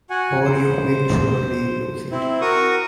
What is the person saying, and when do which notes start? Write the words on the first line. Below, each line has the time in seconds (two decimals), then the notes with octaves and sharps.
Or you will surely lose it.
0.10 F#4 F#5 G#5
0.44 C5
2.11 C4 E4
2.41 F#4 A#4 C#6 D#6